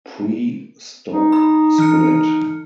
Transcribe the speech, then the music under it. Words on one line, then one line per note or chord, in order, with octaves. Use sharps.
Pre stock split.
D#4
B5
E3 F6 C#7